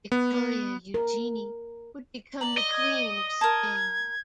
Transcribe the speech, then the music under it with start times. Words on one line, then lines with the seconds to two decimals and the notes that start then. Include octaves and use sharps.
Victoria Eugenie would become the queen of Spain.
0.12 B3
0.94 A#4
2.41 D5 A#5 F#7
2.58 D#5 G7
2.72 G#6
3.10 D#6
3.41 A#4 A5 G#6